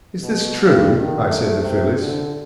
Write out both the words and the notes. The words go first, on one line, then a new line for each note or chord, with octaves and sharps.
"Is this true?" I said to Phyllis.
B2
G2
D#3
A3
C3
D3